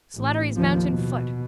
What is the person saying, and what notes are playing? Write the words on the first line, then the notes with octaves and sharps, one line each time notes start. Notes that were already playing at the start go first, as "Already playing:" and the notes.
Slattery's mounted foot.
A1
D#2 F3
B2